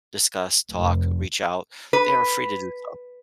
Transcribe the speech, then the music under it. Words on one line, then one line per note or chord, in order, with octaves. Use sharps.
discuss, talk, reach out, they are free to do so.
F1
B4